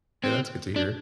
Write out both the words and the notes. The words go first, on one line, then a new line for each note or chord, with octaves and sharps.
Yeah, that's good to hear.
C4
D4